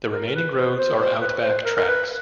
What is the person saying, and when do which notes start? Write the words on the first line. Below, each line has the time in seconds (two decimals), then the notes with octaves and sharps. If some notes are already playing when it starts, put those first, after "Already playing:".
The remaining roads are outback tracks.
0.12 A#4
0.34 B4
0.56 C5
0.78 C5
1.00 C5
1.21 B4
1.43 C5
1.65 A#4
1.77 A#4
1.88 B4